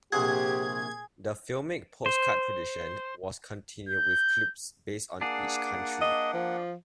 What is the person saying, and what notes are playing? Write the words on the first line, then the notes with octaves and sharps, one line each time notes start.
The filmic postcard tradition was continued with clips based on each country.
A#1 C3 G4 G#4 F#5 G#6
C5
G6
A#3 D4 G#4 F#5
D#5
F3